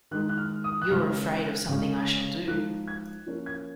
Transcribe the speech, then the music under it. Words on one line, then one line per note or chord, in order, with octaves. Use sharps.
You are afraid of something I shall do.
D#3 G#3 D#4 F#6
F#6
F6
D#6
F#6
C#3 G#3 C#4 F6
C#3 G#3 C#4
F3 G#3 D#4 F#6
G#6
F3 A#3 C#4
G#6